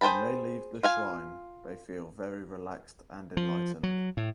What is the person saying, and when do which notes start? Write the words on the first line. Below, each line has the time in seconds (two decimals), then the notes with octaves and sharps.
When they leave the shrine they feel very relaxed and enlightened.
0.01 G#4 C5 G5 A5 B5
0.83 F4 F5 G#5
3.37 F3
3.83 F#3
4.17 A2